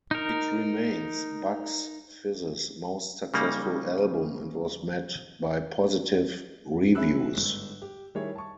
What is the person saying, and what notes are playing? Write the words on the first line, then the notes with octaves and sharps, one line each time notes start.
It remains Bucks Fizz's most successful album and was met by positive reviews.
D#4 A#4
C#3 G3 A#3 D#4
G#4 C#5 E5 B5 E6 F#6
G1 G#2
G4
D#3 G3 E4 G#4 C#5
A5 C#6